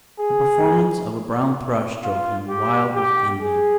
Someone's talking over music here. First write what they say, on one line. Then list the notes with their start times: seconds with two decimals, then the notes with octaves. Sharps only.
The performance of a brown thrush drove him wild with envy.
0.20 G#4
2.04 F4
2.49 G4
2.95 G4
3.41 G#4